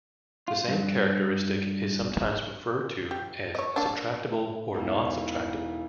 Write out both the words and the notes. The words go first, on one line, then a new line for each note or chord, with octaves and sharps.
The same characteristic is sometimes referred to as subtractable or non-subtractable.
F4
G2
G4
C#5 D#5
A#3 D4
A3 E5
E1 E2 D#4 E4 F5